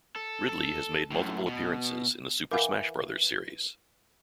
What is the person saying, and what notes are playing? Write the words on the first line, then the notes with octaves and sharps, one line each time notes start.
Ridley has made multiple appearances in the "Super Smash Brothers" series.
A4
A4
F#2 A2
B2
E3 A#4 F5 F#5 D6